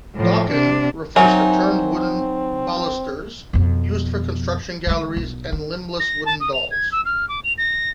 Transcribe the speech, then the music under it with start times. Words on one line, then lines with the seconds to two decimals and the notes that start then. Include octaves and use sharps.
'Docken' refers to turned wooden balusters used for construction galleries and limbless wooden dolls.
0.15 A2 F3
0.51 C3 D4
1.16 F#3 C4 D#4 A#4 E5 G#5 A#5
3.53 F2 B2
4.86 D3 G#3
5.17 B1
5.52 D3
6.00 A#6
6.25 A5
6.40 D#6
6.54 F7
6.71 G#6
6.92 E6
7.05 F6
7.28 D6
7.44 F7
7.58 A#6